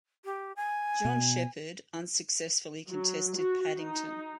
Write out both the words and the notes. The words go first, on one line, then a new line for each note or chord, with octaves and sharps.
John Shepherd unsuccessfully contested Paddington.
G4
G#5
B2
F#3
F#4
D#4